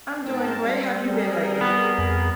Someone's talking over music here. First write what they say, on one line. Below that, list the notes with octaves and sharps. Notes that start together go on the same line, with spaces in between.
I'm doing great. How've you been lately?
G#2 C4 A#4 A5
G3 C4
C4 G#4 A#4
B3
F2